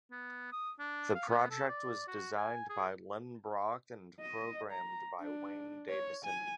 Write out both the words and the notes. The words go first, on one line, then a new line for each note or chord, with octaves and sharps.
The Project was designed by Lynn Brock and programmed by Wayne Davison.
B3
D#6
D4
F5
B3
A4
D5
F#4
G#5
G#4
D#5
A#5
D4
C#5
G#5